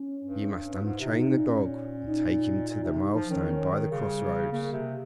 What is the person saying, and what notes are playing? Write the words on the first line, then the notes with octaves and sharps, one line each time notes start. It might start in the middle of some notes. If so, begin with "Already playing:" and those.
You must unchain the dog and take him to the milestone by the crossroads.
Already playing: C#4
G2
G2
G#2 F4
C3 D#4
C3
D#4
A#2
C#4
D#4
A#2
C3
F3
D#3 C#4
D#4
C#4
G3
C#3
C#3 A#3
C3